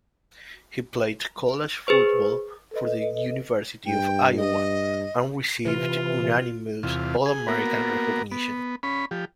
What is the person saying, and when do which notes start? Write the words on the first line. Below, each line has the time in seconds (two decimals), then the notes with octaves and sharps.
He played college football for the University of Iowa, and received unanimous All-American recognition.
1.87 G#4 B4 C5 C#6
2.71 A4 B4 D#5
3.86 G2 G5
4.37 D#5
5.65 C3 E3 F4
6.83 E2 C3 F4
7.26 G#4
7.48 A#3 B3 F#4 A#4
8.32 B3
8.83 C#4 B5
9.11 F3 G4